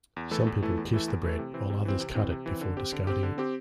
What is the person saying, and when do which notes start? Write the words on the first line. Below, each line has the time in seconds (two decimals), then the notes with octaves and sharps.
Some people kiss the bread while others cut it before discarding it.
0.16 E2
0.31 E3 A3 E4 A4
0.47 E2
0.62 E3 A3 E4 A4
0.77 E2
0.93 E3 A3 E4 A4
1.08 E2
1.24 E3 A3 E4 A4
1.39 C3
1.54 E3 C4
1.70 C3
1.85 E3 C4
2.00 C3
2.15 E3 C4
2.31 C3
2.46 E3 C4
2.61 D3
2.77 C4 G4
2.92 D3
3.07 C4 G4
3.23 D3
3.38 C4 G4